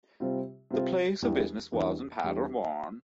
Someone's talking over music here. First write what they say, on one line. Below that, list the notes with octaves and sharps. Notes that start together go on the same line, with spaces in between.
The place of business was in Paderborn.
C3 G3 C4 F4
C3 G3 C4 F4
E2 E3 G3 D4 G4
E2 E3 G3 D4 G4
E2 E3 G3 D4 G4